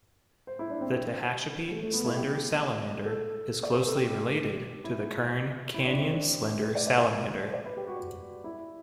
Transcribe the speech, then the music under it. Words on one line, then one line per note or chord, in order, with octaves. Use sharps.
The Tehachapi slender salamander is closely related to the Kern Canyon slender salamander.
C5
E4
D4
C4
A3
A3
B3
E4
G4
A4
D5
C5
B4
A4
G4
E4
E4
D4
C4
D4
B4
D5
D5
D5
C5
D5
B4
G4
F#4
F#4
E4